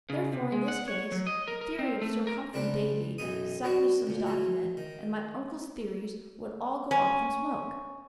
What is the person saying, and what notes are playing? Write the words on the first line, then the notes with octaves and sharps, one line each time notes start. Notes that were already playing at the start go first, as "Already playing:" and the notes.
Therefore, in this case, the theory of Sir Humphry Davy, Saknussemm's document, and my uncle's theories would all go off in smoke.
C#3
C3
G#3
F#5
C#5
F#3
D#5
A#4
A#4
C4
A3
A#4
C#2 G3 C4 D4 B4
B1 F#2 E3 D#4 D#6
F#3 D4 F#4
D2 A#2
E3 F#3
D#3
C#4